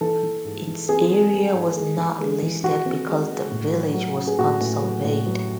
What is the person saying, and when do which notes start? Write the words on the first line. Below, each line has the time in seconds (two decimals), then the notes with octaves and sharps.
Its area was not listed because the village was unsurveyed.
0.01 E3 A4
0.23 E3
0.45 G#2
0.67 E3
0.89 C4 G#4
1.11 G#3
1.33 G#3
1.54 G#2
1.76 G#3
1.98 E3
2.20 G#3
2.42 E3
2.64 E3 F#4
2.86 C4
3.08 G#3
3.30 G#3
3.51 A2
3.73 F#3
3.94 F#3
4.17 C#4
4.27 G#4
4.38 A2 F#4
4.61 A2
4.82 F#3
5.05 A2
5.26 F#3